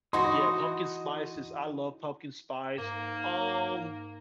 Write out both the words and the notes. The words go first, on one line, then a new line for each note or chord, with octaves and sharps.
yeah, pumpkin spices I love pumpkin spice. Um,
E3 D#4 F#4 D#5 C6 D#6
G#2 A#3